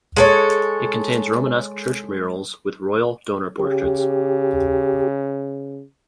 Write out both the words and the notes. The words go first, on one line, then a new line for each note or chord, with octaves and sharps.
It contains Romanesque church murals with royal donor portraits.
G#3 A4 C#5
C#3 G4